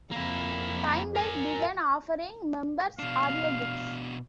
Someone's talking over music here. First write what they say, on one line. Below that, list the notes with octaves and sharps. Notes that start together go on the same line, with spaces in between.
Time-Life began offering members audiobooks.
F2 A#3 E4
A#4 G#5
B2 D4 F5